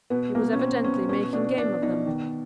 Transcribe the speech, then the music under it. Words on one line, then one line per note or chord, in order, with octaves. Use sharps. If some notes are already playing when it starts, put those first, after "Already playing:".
He was evidently making game of them.
B2 B3
B2 A#3
C#4
B2 C4
B2 C#4
B2 C#4
B2 D4
B2 D4
B2 D#4
D#3